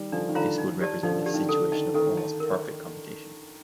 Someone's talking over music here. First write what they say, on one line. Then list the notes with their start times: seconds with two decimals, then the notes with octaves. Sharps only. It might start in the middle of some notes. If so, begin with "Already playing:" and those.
This would represent a situation of almost perfect competition.
Already playing: D#3 G3
0.12 D3 F3 D4
0.29 D#3
0.35 D3 F4 C5 F5 A#5
0.58 D#3 D#4
0.81 G4 D5 A5
1.03 D3 F3 D#4
1.19 D3
1.26 G4 D5 A5
1.34 D#3
1.49 D3 A4
1.72 D#3 D#5 A5
1.94 D#3 A4
2.17 D#5 A5
2.40 A#4